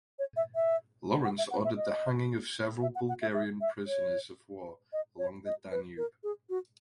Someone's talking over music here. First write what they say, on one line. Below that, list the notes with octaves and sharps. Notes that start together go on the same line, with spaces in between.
Lawrence ordered the hanging of several Bulgarian prisoners of war along the Danube.
C#5
E5
E5
F#5
E5
F#5
E5
D#5
E5
F#5
F#5
E5
E5
E5
C#5
D#5
C#5
D#5
B4
A#4
G#4
F#4